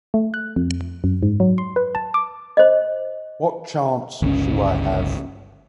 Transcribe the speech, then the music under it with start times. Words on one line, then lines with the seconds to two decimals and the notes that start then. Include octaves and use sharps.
What chance shall I have?
0.14 A3
0.34 F#6
0.56 F2
1.04 F#2
1.23 G#2
1.40 F#3
1.58 C6
1.76 B4
1.95 A5
2.14 D6
2.57 C5 D#5
4.22 G1 C#2 B2 C#4